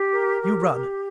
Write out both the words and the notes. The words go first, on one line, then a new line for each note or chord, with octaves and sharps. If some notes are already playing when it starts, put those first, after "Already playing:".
You run!
Already playing: G4
A#4
G4
G4